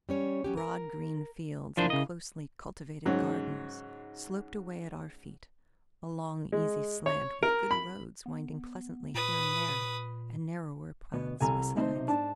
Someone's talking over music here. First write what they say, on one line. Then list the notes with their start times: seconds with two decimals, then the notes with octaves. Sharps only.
The broad green fields and closely cultivated gardens sloped away at our feet, a long easy slant, with good roads winding pleasantly here and there, and narrower paths besides.
0.09 G3 C#4 C#5
0.44 F#3 C#4 G4
0.57 A#4
1.77 F3 D4 E4 A#4 C5 F5
1.90 C#3 D#5
3.06 G#2 C#3 F#3
6.52 G#3
7.06 C#5
7.43 A#4
7.71 B5
8.26 B3
9.15 A#2 B4 D#6
11.13 D2 B2 B3
11.40 C2 C3 A4 G#5 A#5
11.77 C3 A3 C4 D#4 C5
11.95 B1 C3
12.08 G#2 D4 A5